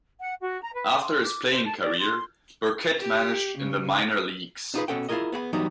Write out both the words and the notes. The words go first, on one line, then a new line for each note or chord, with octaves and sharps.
After his playing career, Burkett managed in the minor leagues.
F#5
F#4
A#5
B4
C6
D6
C5
A5
D5
C6
G4
C#3
D4 D#4 F4 G4 G#4 B4
B2 F3 C#4 A4 F#5 G5
E4 F4 G4 G#4 A#4 D#5
B3 G#4 F#5 B5
E3 F#3 G3 B3 D#4